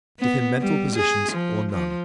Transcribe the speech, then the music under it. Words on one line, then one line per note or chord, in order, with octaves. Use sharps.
Give him mental positions or none.
B3
G3
G#4
F3
F3